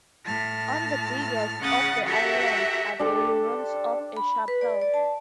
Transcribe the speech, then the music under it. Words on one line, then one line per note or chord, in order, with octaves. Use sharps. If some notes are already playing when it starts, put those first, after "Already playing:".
On the biggest of the islands are the ruins of a chapel.
A2 A5 F6
C#3 C#4 F#5 D#6 F#6 A6
F#4 G4 A4 A#4 E5 F#5
D4 G4 A4 C5
B5
B4
D5
D5
A5